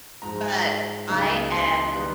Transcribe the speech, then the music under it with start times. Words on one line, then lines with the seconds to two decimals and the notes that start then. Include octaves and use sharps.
But I am
0.22 G#2 F3 G#3 A#5
1.09 C#2 C#3 F#3 A#3 D#4
1.52 C6
1.95 D#3 G3 B3